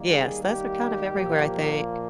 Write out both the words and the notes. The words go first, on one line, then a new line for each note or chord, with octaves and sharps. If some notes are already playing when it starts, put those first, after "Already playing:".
Yes, those are kind of everywhere, I think.
Already playing: D#3 G3 A#3
G#4
G4
A#2 F3 A#3